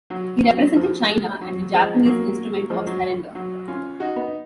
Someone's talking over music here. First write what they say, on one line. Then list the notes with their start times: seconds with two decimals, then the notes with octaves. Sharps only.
He represented China at the Japanese Instrument of Surrender.
0.10 F#3
0.43 F#3
0.76 F3
1.41 F#3
1.73 F3 G#3
2.05 F#3 A#3
2.70 F3 G#3
2.87 F#3
3.35 F#3
3.68 C#4 F4
4.00 D#4 F#4
4.16 B3 D#4
4.27 D#4